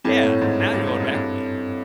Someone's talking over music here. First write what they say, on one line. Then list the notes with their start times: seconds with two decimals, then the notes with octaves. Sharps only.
Yeah, now you're going back a minute.
0.05 G2 C4 E4 A4 C#5
0.23 A2
0.41 G#2
0.60 G2
0.74 G2
0.87 G#2
1.00 F#2
1.14 G2